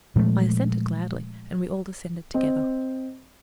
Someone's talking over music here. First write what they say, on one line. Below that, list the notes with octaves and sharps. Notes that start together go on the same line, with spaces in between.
I assented gladly, and we all descended together.
A#2 F3 G#3 A3
C4 D#5